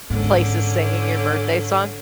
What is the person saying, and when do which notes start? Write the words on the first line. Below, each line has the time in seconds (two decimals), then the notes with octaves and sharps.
place is singing your birthday song.
0.10 G#2 D3 C#4